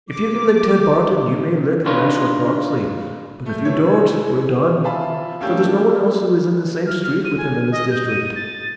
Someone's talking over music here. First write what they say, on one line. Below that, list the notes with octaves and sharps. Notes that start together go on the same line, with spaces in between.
If you can lick Ted Barton you may lick the Master of Croxley, but if you don't we're done, for there's no one else who is in the same street with him in this district.
D6
D4 D#4 F4 B4 C#5
A3 G6
C3 E3 C#5 G#6
F4 E5 G#5 A5 B5
A2 A#3 C#4 D4 G4 E6
F6
F6
D#7
G#5
D#5
G6
D#7
A6